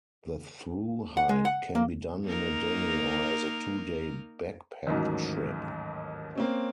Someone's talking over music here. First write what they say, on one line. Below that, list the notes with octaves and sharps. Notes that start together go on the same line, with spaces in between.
The through-hike can be done in a day or as a two-day backpack trip.
F#5
G#3
F#5
A#3
A#3 D#4 A#4
A1 D#2 G#2 F#3
A#3 C4 C#4